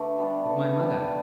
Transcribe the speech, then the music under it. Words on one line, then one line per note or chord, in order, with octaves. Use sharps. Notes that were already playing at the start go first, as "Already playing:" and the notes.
"But my mother?"
Already playing: D3 A3 B4 D5
G3 B3 D4
D3
G3 B3 D4